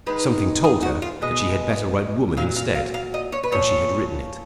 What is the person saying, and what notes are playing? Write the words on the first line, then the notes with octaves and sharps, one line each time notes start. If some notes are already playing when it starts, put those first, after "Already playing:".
Something told her that she had better write woman instead, and she had written it.
D#3 G#3 D#4 B4
G#4
F#4
F4
B2 G#3 B3 D#5
A#2 F#3 F5
F5
F5
F5
D#5
C#5
B4
A#2 F3 C#5